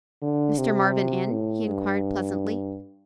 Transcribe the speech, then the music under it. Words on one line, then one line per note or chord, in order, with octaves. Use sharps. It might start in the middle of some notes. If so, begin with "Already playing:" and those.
"Mr. Marvin in?" he inquired, pleasantly.
D3
C3
A2
G2